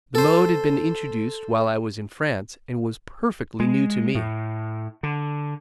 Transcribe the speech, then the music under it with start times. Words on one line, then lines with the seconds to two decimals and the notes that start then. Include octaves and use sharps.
The mode had been introduced while I was in France, and was perfectly new to me.
0.15 A4 C5
3.60 G#3
4.15 A2
5.03 D3